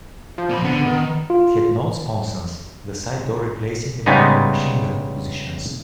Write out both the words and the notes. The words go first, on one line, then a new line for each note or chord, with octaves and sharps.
It had no sponsons; the side doors replacing them having machine gun positions.
F3
A#2 B5
D3 B3
D#3
F4
C#3 G3 G#3 B3 D#4